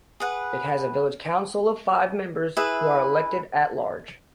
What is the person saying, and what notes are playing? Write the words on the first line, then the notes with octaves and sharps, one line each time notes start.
It has a Village Council of five members, who are elected at-large.
G#4 B4 F#5
E4 G#4 B4 E5